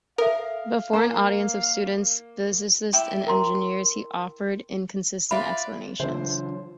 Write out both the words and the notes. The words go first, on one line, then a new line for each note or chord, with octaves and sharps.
Before an audience of students, physicists and engineers he offered inconsistent explanations.
A4 A#4 E5 F5
A#3 A#5
E4 G5 D6
A#4 A#5 C6
F4 B4 D5 E5 B5
C#3 E3 F#3 D4 F4 C5 E5